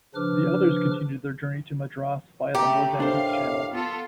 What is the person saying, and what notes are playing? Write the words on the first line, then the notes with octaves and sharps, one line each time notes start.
The others continued their journey to Madras via the Mozambique Channel.
C#3 F3 D4 B4 D6 F6
C#3 A3 G4 G5 A#5
D#2 A2 D4 C5 F5
B3 F4 A4